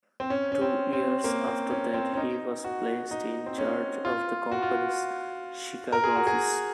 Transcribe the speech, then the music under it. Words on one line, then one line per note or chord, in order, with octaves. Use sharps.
Two years after that, he was placed in charge of the company's Chicago office.
C4
C#4
C#4
C4
C4
A#3
C4
C#4
C4
C#4
D#4
F#4
D#4
C4
C#4
F4
F#4
F4
F#4
A#4
G#4
F#4
G#4